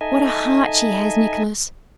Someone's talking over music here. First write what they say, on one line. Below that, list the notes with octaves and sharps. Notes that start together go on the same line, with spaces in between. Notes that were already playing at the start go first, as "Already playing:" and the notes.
What a heart she has, Nicholas!
D#4 A4 D#5 E5 G#5